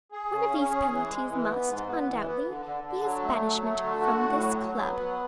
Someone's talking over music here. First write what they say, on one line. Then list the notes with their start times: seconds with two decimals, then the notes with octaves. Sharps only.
One of these penalties must, undoubtedly, be his banishment from this club.
0.12 G#4
0.31 C#3
0.50 C#4
0.70 G#4
0.90 E3
1.09 G#3
1.28 E3
1.48 B3
1.67 G#2
1.87 B3
2.06 E3
2.25 B3
2.46 D3
2.66 D3
2.84 D3
3.05 F#3
3.23 A3
3.44 F#3
3.63 A3
3.83 D3
4.01 F#4
4.21 A2
4.40 F#3
4.60 F#3
4.80 B3
4.99 F#3